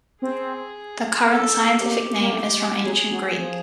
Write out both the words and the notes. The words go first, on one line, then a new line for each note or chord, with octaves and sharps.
The current scientific name is from Ancient Greek.
C4 G#4
A#3 A4
A#3 G4
A#3
A3
G#3
F#3 G#4
F#3
F3